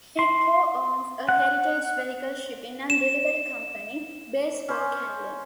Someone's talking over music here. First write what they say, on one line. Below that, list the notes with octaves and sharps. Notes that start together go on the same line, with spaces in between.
He co-owns a heritage vehicle shipping and delivery company, Bespoke Handling.
C6
F#5
E7
C#4 C5 G#5